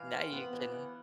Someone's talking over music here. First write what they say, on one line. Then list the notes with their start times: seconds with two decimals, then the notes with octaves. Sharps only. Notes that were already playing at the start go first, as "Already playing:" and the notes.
Now you can
Already playing: E3 F5
0.13 C4
0.32 B3
0.53 E3
0.72 E3